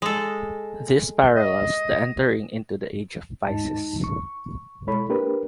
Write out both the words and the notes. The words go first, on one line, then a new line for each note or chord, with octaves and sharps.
This parallels the entering into the Age of Pisces.
G#3 A4
D#5
D#2 G#2 D#4 A5
C#6
B2 G#3 E4 A4 C#5 B5
A#3 D4 G4 A#4 B4